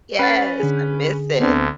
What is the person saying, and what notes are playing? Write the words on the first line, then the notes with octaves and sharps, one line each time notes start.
Yes, I miss it.
C#4 B4 B5 A6
D3 G#4
D2 B3 C4 D4